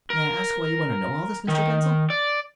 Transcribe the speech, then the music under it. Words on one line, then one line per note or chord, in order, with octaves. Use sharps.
"May I ask why you want to know all this, Mr. Denzil?"
A#4
D#3
D5